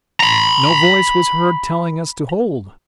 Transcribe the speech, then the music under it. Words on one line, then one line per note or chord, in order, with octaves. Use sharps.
No voice was heard telling us to hold!
A#5 B5